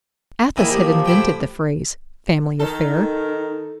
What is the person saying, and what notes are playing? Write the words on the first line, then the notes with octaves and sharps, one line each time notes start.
Athos had invented the phrase, family affair.
D#3 A#3 E4 G#4
F3 G4
A2 E4 G5
D#3 D#4 A4